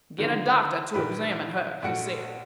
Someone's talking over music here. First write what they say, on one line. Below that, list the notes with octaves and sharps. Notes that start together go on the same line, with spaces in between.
"Get a doctor to examine her," he said.
D3 D#3 F3 B3
A#1 D#3 G4 B4
A#1 A3 F#4 C#7